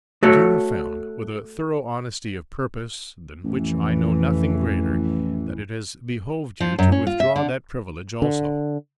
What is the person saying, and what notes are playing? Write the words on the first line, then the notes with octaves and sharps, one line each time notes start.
But you have found,--with a thorough honesty of purpose than which I know nothing greater,--that it has behoved you to withdraw that privilege also.
A3 F#4 A4 C#5
A1 F2 E3
F3
F#2
C#4
F4
E5
D3
D3